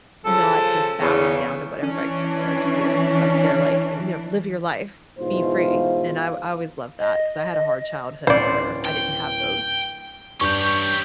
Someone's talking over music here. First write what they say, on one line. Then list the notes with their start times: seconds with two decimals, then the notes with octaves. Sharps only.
not just bowing down to what everybody expects her to do, like they're like, you know, "Live your life. Be free," and I I always loved that 'cause I had a hard childhood where I didn't have those
0.25 C#3 F3 A4
1.01 E2 C#3
1.83 E3 C#4 D4
5.18 E2 G#2 B2 F4 C5
6.99 D#5
8.27 D1 C#4 C5 D5 C#7
8.85 G5
10.41 G2 C#4 G4 C#6 G6